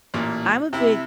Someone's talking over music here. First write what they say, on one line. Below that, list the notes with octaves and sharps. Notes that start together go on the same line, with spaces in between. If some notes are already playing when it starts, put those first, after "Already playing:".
I'm a big
A1 A#2
C3 E4